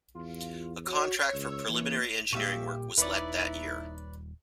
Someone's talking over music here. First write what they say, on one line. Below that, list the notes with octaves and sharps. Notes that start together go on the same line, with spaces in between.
A contract for preliminary engineering work was let that year.
E2 F4
F#4 C#5
C#2 E6
E3 A#3
A#2 G3 A#3 G4 E5 F5 C#6
D#1 D#4 E4 B4 C#5 D5